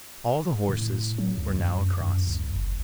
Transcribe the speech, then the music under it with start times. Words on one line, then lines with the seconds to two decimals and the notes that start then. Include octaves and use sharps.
All the horses were now across.
0.69 A2
1.18 F#3
1.38 D2
1.59 F#2
2.01 F#2
2.27 C#2
2.56 F#1